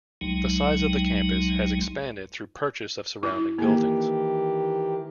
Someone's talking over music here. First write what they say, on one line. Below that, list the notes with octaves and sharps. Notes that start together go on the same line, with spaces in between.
The size of the campus has expanded through purchase of surrounding buildings.
C2 F#3 G#3 D#4
E4
D#3 E3 A#3 G4